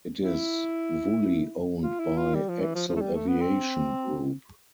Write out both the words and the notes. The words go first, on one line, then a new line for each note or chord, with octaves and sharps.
It is wholly owned by ExelAviation Group.
E4
F4
E4
F4
G3
F3
E3
F3
F3
A3
G3
A3
B3
C4